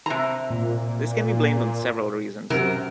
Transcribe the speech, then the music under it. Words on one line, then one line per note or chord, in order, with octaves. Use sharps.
This can be blamed on several reasons.
C3 A#5
A#2
F#2 C3 A#4